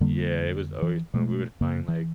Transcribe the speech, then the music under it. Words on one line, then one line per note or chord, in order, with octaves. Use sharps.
Yeah, it was always fun. We would find, like,
F2 D3 G3 A#3
E3
B2 G#3 A3
F#2 C#3 A#3
E3